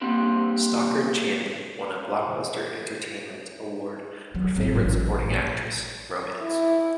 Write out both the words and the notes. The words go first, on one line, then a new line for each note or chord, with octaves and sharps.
Stockard Channing won a Blockbuster Entertainment Award for Favorite Supporting Actress - Romance.
G3 A#3 C4 D4
F#3
G#1
A1
A#1
E4